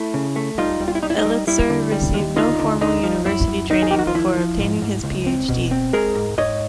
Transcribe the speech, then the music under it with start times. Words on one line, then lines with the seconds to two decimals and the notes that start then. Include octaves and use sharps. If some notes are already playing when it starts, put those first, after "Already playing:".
Elitzur received no formal university training before obtaining his PhD.
Already playing: A3 E4
0.14 C#3
0.36 A3
0.58 G3 D#4 F4
0.80 G3
0.88 F4
0.95 E4
1.03 G3 D#4
1.10 E4
1.17 D#4
1.25 G3
1.47 G3 E4
1.70 D3
1.92 G3
2.14 D#2
2.36 D3 D#4 F4
2.59 D3
2.81 D3 D#4
3.03 F3
3.25 F#2 E4
3.47 F#2
3.70 D#3 D#4
3.82 G#4
3.91 D#3 G4
3.99 F#4
4.07 F4
4.15 F3 E4
4.37 F3
4.60 G#2
4.82 G#2
5.04 C#2
5.27 C4
5.49 B2
5.71 C4
5.93 G#3 G#4 A#4
6.15 G#2
6.38 G#2 C#5 D#5